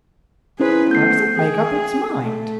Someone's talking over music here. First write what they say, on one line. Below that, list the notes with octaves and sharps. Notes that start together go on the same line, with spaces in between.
"How does it make up its mind?"
C#4 E4 G#4 B4 C5
A3 B3 G6 C7
G#4 G5
A3